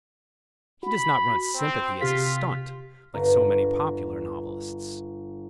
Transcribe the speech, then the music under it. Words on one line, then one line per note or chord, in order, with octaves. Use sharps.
He does not run sympathy as a "stunt" like so many popular novelists.
F#4 B5
C4
C3 F4 G4 B6
G1 A#5